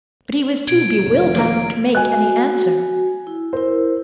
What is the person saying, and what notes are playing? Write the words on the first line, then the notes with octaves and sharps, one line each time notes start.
But he was too bewildered to make any answer.
B2 G#6 D7
F1 D#3
A#3
G#3 F#4 D#5 G#5 F#6
F#4
E4
E4 A#4 C5